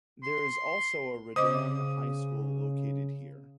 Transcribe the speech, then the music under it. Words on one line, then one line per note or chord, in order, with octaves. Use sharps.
There is also a Redan High School located here.
C6
C#3 C5 D#5 D6 D#6